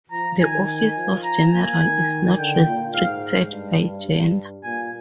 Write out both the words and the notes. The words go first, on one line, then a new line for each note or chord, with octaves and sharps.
The office of General is not restricted by gender.
F3 A#5
D#3 G#5
G#5
F3
A#5
A#3 G#5
D#3
D3 G5
A#2
G#2 F5
G2
G2
G2
A#2 G#5